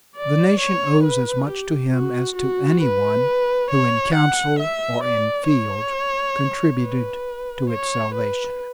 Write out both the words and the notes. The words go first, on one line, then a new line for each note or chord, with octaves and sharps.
The nation owes as much to him as to any one who in council or in field contributed to its salvation.
D5
C#5
B4
G4
F#4
F#4
B4
C#5
F#5
E5
D5
C#5
B4
C#5
B4